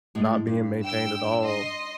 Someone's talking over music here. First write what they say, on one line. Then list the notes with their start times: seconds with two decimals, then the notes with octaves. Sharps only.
not being maintained at all,
0.15 A2 G3 G#3
0.47 G2
0.83 G5 E6
1.43 D#5 C6